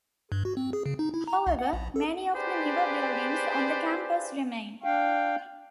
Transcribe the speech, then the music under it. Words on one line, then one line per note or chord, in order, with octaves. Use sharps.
However, many of the newer buildings on the campus remain.
G2
F#4
C4
G#4
C#3
D#4
E4
A#5
C2
F#5
A#1
A4
D4 G4 G#4 B4 C5 D5
D4 F5 G5